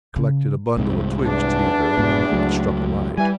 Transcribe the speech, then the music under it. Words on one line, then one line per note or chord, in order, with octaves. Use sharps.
He collected a bundle of twigs together and struck a light.
C#3
C2 G#2
E2 D4
F1 G#2 B2
C#2 F#3 A3
E3 G3 G#5